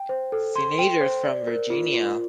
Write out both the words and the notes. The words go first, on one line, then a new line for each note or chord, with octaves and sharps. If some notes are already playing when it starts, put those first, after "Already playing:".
Senators from Virginia.
Already playing: G5
C5
A4
C6
G5
C5
D5
A#4
F4
F4